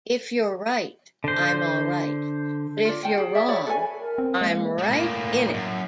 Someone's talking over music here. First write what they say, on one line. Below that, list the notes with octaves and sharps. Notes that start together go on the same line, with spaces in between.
If you're right, I'm alright; but if you're wrong, I'm right in it!
D3 C5
F4 D5
F#5 G5 A5
G#4
F#4 D5 E5
F#4 C#5 D5 B5
A4 B4 G#5
A#4
C4
G#3 A#3
A3 A#3
A2 A#3
F#2